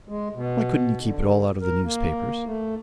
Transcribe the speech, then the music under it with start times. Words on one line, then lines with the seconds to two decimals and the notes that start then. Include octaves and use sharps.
"Why couldn't you keep it all out of the newspapers?"
0.09 G#3
0.35 B2
1.01 D3
1.61 A#4
1.84 A#3
2.46 A3